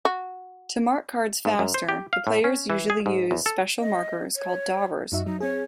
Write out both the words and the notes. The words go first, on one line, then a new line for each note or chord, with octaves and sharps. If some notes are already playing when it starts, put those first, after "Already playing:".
To mark cards faster the players usually use special markers called "daubers".
F#4
G#2
F#2
C5
G4
F5
A2
C#4
E3
G#4
G#2
E2
A4
D#5
C#5
F#2 D#4 F#4 E5
F#3 D#4
C4 G#4 C#5